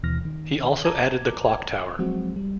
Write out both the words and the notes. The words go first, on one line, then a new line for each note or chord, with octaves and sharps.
He also added the clock tower.
D#2 B2 E3 F6 A#6
D#3
A5 A#5 D6 G#6
F3 F#3 G#3 C4 F#4
G3